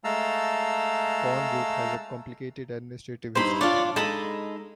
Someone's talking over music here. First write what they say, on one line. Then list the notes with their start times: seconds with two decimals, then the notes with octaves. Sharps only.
Colnbrook has a complicated administrative history.
0.04 G#3 A3 F5 A5 A#5 E6
3.35 G2 D#4 E4 C5 B5
3.61 D4 F4 C#5 D5
3.96 G#3 D#4 A4 D#5 B5